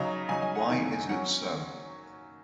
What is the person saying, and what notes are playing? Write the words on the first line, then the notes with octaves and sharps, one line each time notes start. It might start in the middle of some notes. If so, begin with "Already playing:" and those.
Why is it so?
Already playing: C#3 F#3 D#4 A#5
C#3 F#3 D#4 G#5
D#5
F#5
F#2 D#3 A#3 D#4 G#5
F#3 C#4 F#5